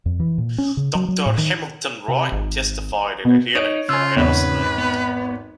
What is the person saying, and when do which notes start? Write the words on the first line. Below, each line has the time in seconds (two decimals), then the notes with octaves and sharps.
Doctor Hamilton Wright, testified at a hearing for the Harrison Act.
0.06 F2
0.20 E3
0.38 A#2
0.58 C#4
0.77 C#3
0.95 F#3
1.08 F#3
1.26 A2
1.38 D#3
2.08 C3
2.32 G#1
3.25 B2 B3
3.55 D#4 C#5 D7
3.89 C#3 F4 G#5 E6
4.16 G#1 E2 B4 C#5
4.78 B3